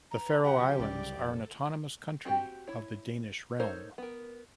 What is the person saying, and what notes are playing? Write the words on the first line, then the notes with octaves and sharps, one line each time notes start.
The Faroe Islands are an autonomous country of the Danish Realm.
B4 A#5
C#3 F3 C#4 G4 F#5
C2 F#2 C#3 D5 D6
F1 A4
C4 F#4 G4 G5
E4 C#5
D#4 A4 A#4 C5 C#5
B3 A#4